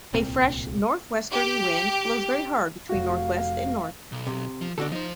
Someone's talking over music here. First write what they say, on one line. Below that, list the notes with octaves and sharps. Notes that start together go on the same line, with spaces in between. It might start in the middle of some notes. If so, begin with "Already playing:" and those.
A fresh northwesterly wind blows very hard between northwest and north.
D1 C2 A#2 C4
G4
F1 F#4 F5
B1
C3
F3
D2 D4 F#4 A4
F3 D#4 C5